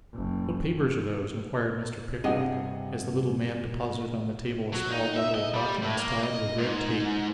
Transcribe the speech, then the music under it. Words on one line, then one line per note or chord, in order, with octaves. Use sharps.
'What papers are those?' inquired Mr. Pickwick, as the little man deposited on the table a small bundle of documents tied with red tape.
F#1
G2 C3 G#4 D#5 F#5
F#3
D#4
E5
D#5
G3
A2
A#3
D#5
G#2